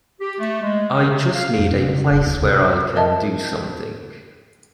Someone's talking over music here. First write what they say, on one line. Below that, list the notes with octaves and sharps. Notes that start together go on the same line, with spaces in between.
I just need a place where I can do something.
G4
A3
G#3
D#3
C3
F5
F2
C3
C#3
F1
D2
C3
A#4 D#5 E5 A5